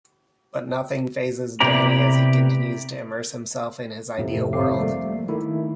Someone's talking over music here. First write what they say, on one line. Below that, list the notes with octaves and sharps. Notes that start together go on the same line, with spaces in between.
But nothing fazes Danny as he continues to immerse himself in his ideal world.
C3 B3 E4 G4 D5 A#5
F2 A2 C3
G#1 C3 F5 D6 C7
F3 G3 A3 A#3
D#3 A3 E4